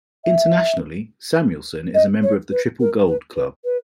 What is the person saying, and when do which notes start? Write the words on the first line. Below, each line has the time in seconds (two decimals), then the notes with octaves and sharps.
Internationally, Samuelsson is a member of the Triple Gold Club.
0.24 E5
1.94 D#5
2.23 C#5
2.51 B4
2.80 A#4
3.08 B4
3.36 B4
3.64 B4